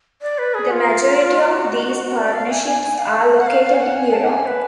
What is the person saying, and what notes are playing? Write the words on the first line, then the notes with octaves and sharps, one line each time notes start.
The majority of these partnerships are located in Europe.
D5
B4
G#4
F4
F#4
D5
F5
G#5
G#5
G#5
F5
F#5
F5
F5
G#5
F#5
G#5
A5
F#5
G#5
B4